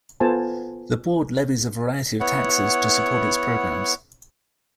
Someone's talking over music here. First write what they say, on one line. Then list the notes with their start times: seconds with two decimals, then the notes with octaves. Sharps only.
The board levies a variety of taxes to support its programs.
0.20 B3 F4 A4 C5 G#5 A5
2.20 B3 E4 C#5 F#5